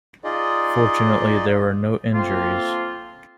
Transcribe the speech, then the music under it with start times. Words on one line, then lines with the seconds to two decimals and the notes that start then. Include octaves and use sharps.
Fortunately, there were no injuries.
0.24 D#4 F4 G#4 D5 D#5
2.13 F3 A3 A#3 C4 F4